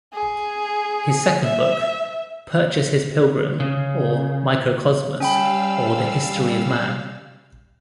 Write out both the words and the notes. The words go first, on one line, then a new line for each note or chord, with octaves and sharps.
His second book, Purchas his Pilgrim or Microcosmus, or the Historie of Man.
G#4
E5
C#3
G3 C#4 F5 G5 B5 E6